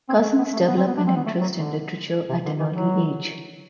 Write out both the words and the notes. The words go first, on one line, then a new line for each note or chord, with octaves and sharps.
Cousins develop an interest in literature at an early age.
C4
A3
B3
A3
B3
C4
B3
D4
C4
B3
A3
F#3
D3
C3
D3
E3
F#3